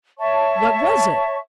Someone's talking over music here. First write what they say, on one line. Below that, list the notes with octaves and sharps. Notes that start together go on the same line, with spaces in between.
What was it?
C#5 E5 A5 C#6